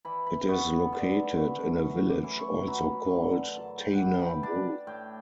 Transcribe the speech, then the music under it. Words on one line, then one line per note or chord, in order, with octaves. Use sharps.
It is located in a village also called "Tana bru".
E3 B5
B5
B5
B3 C#6
D3 A5
A3 B5
F#2 C#6
D6
E3
C#6
F#3 B5
D3
F#2 A5
G5
F#5
E3 G5
A5
B5
D4 A5
A2 G5